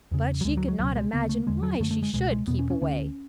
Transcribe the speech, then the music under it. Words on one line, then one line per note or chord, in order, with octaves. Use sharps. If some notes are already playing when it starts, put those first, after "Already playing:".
But she could not imagine why she should keep away.
E2 C#3
F#3
D2 D3 G#3
F#3
F#3
C#2 B2 F#3
G#3
D2 C#3 B3
A3
E2 D3 G#3
F#3
F#2 D3 A3
A3
G#3
C#2 B2 G#3
G#3
E2 B2 B3
C#4
C#4
D2 D3 C#4